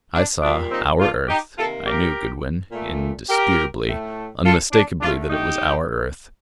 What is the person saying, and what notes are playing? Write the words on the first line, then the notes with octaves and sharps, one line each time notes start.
I saw our Earth--I knew, Goodwin, indisputably, unmistakably that it was our earth.
D4
A#2 G3 A#3 D4
C4 D#4
D4 F4
D#4 G4
C3 D#3 A#3 F4 A4
G4 A#4
A#2 A3
G4 A#4
A2 A3
F4 A4
D4
D3 A3 D4 F4
D#4 G4